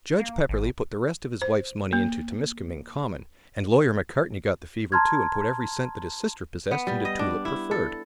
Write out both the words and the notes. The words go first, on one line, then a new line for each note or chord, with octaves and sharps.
Judge Pepperleigh put the rest of his wife's money into Temiskaming Common, and Lawyer Macartney got the fever, too, and put every cent that his sister possessed into Tulip Preferred.
A#3
G#1
C5
A#3
A5 A#5 C6 F6 G#6
B3
G3
D#5
D4
E4
A4